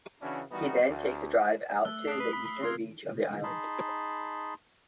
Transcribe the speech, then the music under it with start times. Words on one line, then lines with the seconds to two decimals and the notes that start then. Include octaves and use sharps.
He then takes a drive out to the eastern beach of the island.
0.22 C#3 E3 C#4 D4 E4 F#4
0.51 D#3 E3 G3 B3 D#4 F#4
0.87 D2
1.85 A3 E6 F#6 G7
2.07 D4 D#6 F#6 C7
2.20 B4
2.33 B5
2.45 B5
2.63 F4 A#4 C6 G#6
3.43 D#4 G#4 A5 B5 C6